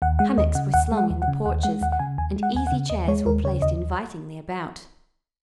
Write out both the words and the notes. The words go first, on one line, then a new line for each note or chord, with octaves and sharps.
Hammocks were slung in the porches and easy chairs were placed invitingly about.
D#2 F#5
G#3 F#5
D#2 D#5
C#3 F#5
D#2 F#5
G#3
F#5
D#2
F#5
C#3
D#2 F#5
G#3 F#5
D#2 F#5
F#5
C#3 G#5
D#2 G#5
G#3
F#5
D#2 G#5
F#5
C#3
D#2 D#5
G#3 C#5
D#2 A#4
C#3 C#5
D#2 D#5